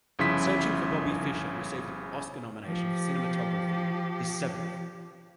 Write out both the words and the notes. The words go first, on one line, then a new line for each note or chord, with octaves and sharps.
"Searching for Bobby Fischer" received an Oscar nomination for cinematography, his seventh.
G1 C#3 F3 E4 C6 B6
F3 G4